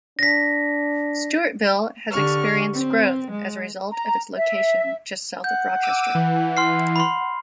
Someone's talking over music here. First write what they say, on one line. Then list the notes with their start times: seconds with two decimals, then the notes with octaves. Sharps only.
Stewartville has experienced growth as a result of its location just south of Rochester.
0.19 D4 A#6 B6
2.10 D3 G4 C#6 F6
2.73 C4
3.31 G#3
3.91 A#5
4.37 E5
5.44 F#5 G6
5.83 D6 E6 D#7
6.15 E3
6.57 C6 F6 C7
6.96 B5 C6